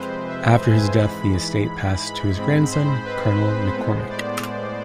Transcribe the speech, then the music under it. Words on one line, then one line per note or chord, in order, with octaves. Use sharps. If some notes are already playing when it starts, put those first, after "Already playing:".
After his death, the estate passed to his grandson, Colonel McCormick.
Already playing: F2 C3 G#3 C4 B4 C5
E5
G#5
G#2 E3 G#3 B5
B5
G#2 G#3 C4
C5
B4
C5
A2 G#3 B3
D5